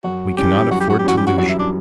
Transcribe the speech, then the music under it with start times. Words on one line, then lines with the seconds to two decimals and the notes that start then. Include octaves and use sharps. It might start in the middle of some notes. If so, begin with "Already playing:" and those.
We cannot afford to lose you.
0.04 F#2 F#4
0.37 E3 G3 C#4 G4
0.71 F#2 F#4
0.80 G4
0.90 F#4
0.99 G4
1.04 E3 G3 C#4 F#4
1.18 G4
1.27 F#4
1.38 F#2 F#4
1.49 E4
1.59 D4